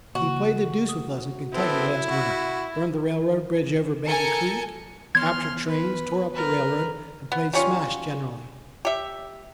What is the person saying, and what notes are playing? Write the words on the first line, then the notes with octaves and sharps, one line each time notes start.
He played the deuce with us in Kentucky last winter: burned the railroad bridge over Bacon Creek, captured trains, tore up the railroad, and played smash generally.
C#3 A#3 F#4
D#6
B3 C4 E4 A4
F#4
A4 A#4 G#5 C#7
E3 B3 C#5 C6 F6 G#6
B4
A#4 B4
B3
G3 C#4 F4
G4 E5